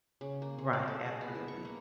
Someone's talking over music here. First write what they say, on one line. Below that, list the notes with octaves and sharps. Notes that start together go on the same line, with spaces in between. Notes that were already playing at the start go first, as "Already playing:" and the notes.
Right. Absolutely.
C#3
A#3
G#4
D5
A4
G#4
B3
E4
C#6
A#3